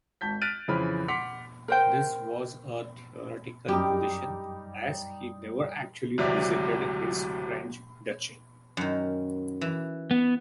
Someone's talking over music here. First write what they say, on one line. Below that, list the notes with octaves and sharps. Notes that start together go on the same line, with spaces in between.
This was a theoretical position, as he never actually visited his French duchy.
G#1 A5 G6 B6
F6 F#6 A6 B6 D7 D#7
F2 C#3 E3 C5 B5 F6
F#5 C6 D6 B6 C#7 F7
A#4 C5 G5
F#2 G3 D#4 G4 D6
D1 G#1 C3 F#3 D5 E5
F#2 D#3
E3
B3